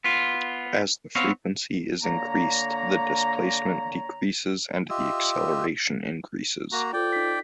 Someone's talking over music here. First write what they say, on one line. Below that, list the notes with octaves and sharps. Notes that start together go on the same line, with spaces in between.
As the frequency is increased, the displacement decreases, and the acceleration increases.
B3 F4
B3 C4 C#5 F5
D3 A#3 C#5 A#5
F4 G4 D#5 E5 E6
A#3 F#4 A#5
F4 A4 C5 D5 G5
D#4 B6